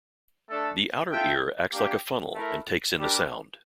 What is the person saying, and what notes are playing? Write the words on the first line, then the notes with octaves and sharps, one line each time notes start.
The outer ear acts like a funnel and takes in the sound.
A3 D4 A4
F4 A4 E5 G5
A#3 D4 G4
A3 E4 A#4
G3 D4 G4 A#4